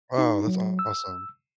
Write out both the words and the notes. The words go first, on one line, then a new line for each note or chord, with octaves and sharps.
Oh, that's awesome.
D#4
F#3
E6